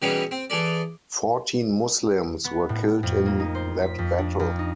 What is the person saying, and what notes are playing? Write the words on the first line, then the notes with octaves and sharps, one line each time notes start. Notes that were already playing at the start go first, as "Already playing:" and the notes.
Fourteen Muslims were killed in that battle.
B2 E3 G3 C#4 D#4 G#4
C4
E3 G#4 A4 D5
B3
A2
F2
A#3
D#4
C5
B6
F2
D4
F2
D#4